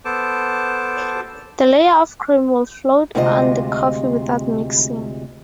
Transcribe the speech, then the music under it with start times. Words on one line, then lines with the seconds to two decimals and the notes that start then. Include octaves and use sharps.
The layer of cream will float on the coffee without mixing.
0.05 B3 A4 C5 A5 D6
3.15 D2 C3 G#3 E4 F4 D#5